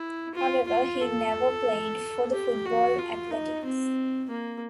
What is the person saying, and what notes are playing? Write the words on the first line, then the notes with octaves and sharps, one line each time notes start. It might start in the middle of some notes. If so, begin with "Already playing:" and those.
However, he never played for the football Athletics.
Already playing: E4
F4
F4
A4
G4
F#4
F4
D#4
C4
A#3